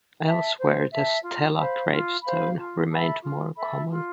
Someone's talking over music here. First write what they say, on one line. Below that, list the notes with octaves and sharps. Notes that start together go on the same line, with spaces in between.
Elsewhere the stela gravestone remained more common.
E5 A5
C5
E5 A5
F4
C5 F5 B5
F4
C5 F5 B5
F4
A4 E5 B5
F4
A4 E5 B5
F4